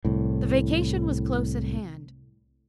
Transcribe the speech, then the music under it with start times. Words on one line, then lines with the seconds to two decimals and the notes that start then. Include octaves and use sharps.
The vacation was close at hand.
0.05 C2 A2